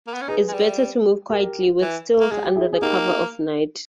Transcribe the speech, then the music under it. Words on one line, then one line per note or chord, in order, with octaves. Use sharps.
It's better to move quietly, with stealth, under the cover of night.
A#3
B3
C#4
D#4 G#4 B4
G#3
G3
G4 A#4
E3
A#3
G#3 G#4
G4
E4 G#4
G#4
A#3 D#4 G4